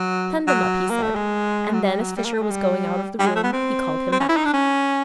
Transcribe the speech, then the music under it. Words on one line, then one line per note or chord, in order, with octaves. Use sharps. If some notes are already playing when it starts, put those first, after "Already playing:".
"Send him up," he said, and then as Fisher was going out of the room he called him back.
Already playing: F#3
F#3
A#3
A3
G#3
F#3
G3
F#3
G3
A#3
A3
G#3
G3
G3
G#3
A3
B3
C4
C4
C#4
E4
D#4
D4
C#4